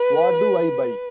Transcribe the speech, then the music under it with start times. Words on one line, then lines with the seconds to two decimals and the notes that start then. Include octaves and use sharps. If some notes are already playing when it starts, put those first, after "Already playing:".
What do I buy?
Already playing: B4